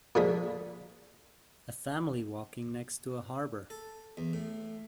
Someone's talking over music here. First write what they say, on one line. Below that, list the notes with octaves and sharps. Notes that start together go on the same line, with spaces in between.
A family walking next to a harbor.
A#2 D3 F3 G#3 G#4 B5
A4
E2
A2